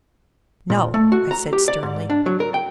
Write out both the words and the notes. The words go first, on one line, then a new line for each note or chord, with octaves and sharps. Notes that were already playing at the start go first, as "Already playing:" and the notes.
"No," I said sternly.
A#2
A3
F#4
A#5
G4
D5
G#2
D4
F#3
A#4
G5